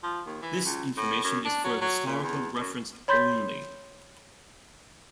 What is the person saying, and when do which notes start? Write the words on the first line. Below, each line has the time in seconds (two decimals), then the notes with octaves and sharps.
"This information is for historical reference only".
0.03 F3
0.26 D#2
0.42 E3
0.65 C#2
0.97 A2
1.24 F#2
1.45 D4
1.64 F#3
1.81 F#3
2.07 A#2
2.22 E2
2.59 F#2
3.08 C#5 B5 C6 G6 A6 B6